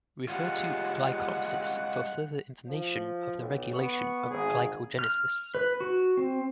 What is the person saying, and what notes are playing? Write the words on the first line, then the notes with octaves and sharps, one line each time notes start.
Refer to glycolysis for further information of the regulation of glycogenesis.
G3 G#3 F4 F#5
F3
B1
B3 C#6
G#1 G#4
F6
B4
F#4
C4